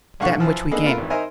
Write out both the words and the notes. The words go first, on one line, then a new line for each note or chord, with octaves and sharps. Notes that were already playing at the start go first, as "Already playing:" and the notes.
"That in which we came."
B1 D3 F5 F#5 C#6
E3 F3
A#3 B3 D4 D#4 G#4 A4
A3 B3 F4 A#4
G#1 E3
D#4 A#4 C5 E5 G#5